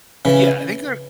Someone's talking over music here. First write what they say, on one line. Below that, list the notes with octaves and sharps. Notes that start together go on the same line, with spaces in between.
Yeah, I think they're
C#3 E3